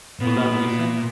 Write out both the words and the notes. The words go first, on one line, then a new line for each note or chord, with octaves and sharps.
Was that recent?
A#2 B3